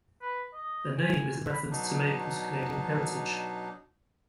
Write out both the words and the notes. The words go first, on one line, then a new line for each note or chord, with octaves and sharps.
The name is a reference to Maple's Canadian heritage.
B4
D#5
G#5
B5
B2 F#3 D4 D#4